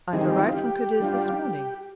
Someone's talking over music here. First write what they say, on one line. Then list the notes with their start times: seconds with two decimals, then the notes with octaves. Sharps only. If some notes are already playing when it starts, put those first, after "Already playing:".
I have arrived from Cadiz this morning.
0.13 D#3 G3 C4 D#4 G#4
0.26 G4
0.38 F4
0.51 G4
1.00 G3 D4 F4